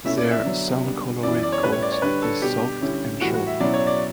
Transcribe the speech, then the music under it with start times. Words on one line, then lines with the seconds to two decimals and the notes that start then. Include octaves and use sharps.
Their sand-colored coat is soft and short.
0.05 B2 A3 C#4 E4 E5
0.18 D5
0.31 E5
0.44 D3 F#3 B3
0.84 C#3 G3 B3 D4
1.23 F#2 E3 B3 E4 D5
1.43 D5
1.52 C#5
1.63 A2 G3 C#4 E4 B4
1.72 C#5
1.83 D5
1.92 C#5
2.02 D3 G3 D4 B4
2.22 A4
2.42 B2 G3 D4 G4
2.82 D3 G3 C#4 E4
3.20 A2 E3 G3 F#4
3.34 F#4
3.47 E5
3.60 B2 F#3 C#4 E4 D5
3.74 C#5
3.87 D5